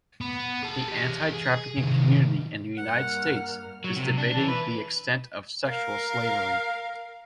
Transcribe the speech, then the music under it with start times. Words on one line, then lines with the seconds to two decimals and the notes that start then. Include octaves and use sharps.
The anti-trafficking community in the United States is debating the extent of sexual slavery.
0.21 B3
0.63 G#4 A5
0.88 G4 D#5
1.33 G#4
1.78 C3 D#3
2.77 G2 A#3 F#5 F6
3.84 F#3
3.97 C3
4.18 D4
4.37 E3
4.48 B4
5.67 A#4 F5